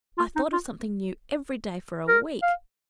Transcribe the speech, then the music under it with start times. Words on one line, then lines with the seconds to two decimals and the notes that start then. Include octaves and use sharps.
I thought of something new every day for a week.
0.18 F4
0.36 D#4
0.53 F4
2.08 A#4
2.43 F5